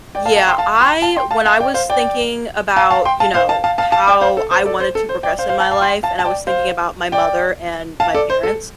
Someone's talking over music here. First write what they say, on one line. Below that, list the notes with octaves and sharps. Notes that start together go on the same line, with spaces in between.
Yeah, I when I was thinking about, you know, how I wanted to progress in my life, and I was thinking about my mother, and my parents.
D5 G5
F5 A5
F5 A5
G5 C6
F5 A5
G5 C6
F5 A5
G5 C6
F5 A5
F5 A5
D5 G5
C5 F5
D5 G5
F5 A5
F5 A5
G5 C6
F5 A5
C5 F5
F5 A5
F5 A5
F5 A5
F5 A5
D5 G5
C5 F5
A4
C5
A4 D5
C5
A4
C5
D5 G5
C5 F5
C5 F5
F5 A5
F5 A5
G5 C6
F5 A5
A5
D5 G5
C5 F5
D5 G5
F5 A5
A4 D5
C5
A4